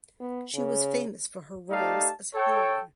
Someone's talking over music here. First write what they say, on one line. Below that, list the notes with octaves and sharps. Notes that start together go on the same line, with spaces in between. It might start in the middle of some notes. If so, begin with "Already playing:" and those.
She was famous for her roles as heroine.
B3
C#3
A3 D#4 G4 D5 F5 A5
A4 C#5 G5